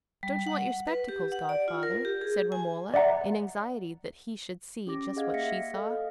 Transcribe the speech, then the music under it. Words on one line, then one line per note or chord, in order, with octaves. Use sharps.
"Don't you want your spectacles, godfather?" said Romola, in anxiety that he should see just what she saw.
G3
F#5
B4
G4
F#5
D5
F4
A#4
G4
G#4
G#5
D5 E5 F#5 A#5
C#4 G4 D6 A#6
G#4 D#5 F5 F#5 G#6
A#3 E5 A#6 B6 C#7
A4 D#5 F5